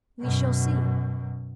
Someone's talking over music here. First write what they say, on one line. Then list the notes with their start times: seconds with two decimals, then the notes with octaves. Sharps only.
"We shall see."
0.20 F#2 B2